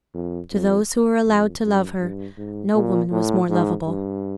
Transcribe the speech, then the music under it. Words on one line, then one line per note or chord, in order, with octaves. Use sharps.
To those who were allowed to love her no woman was more lovable.
F2
F2
F2
F#2
G2
G#2
A#2
A2
G#2
G2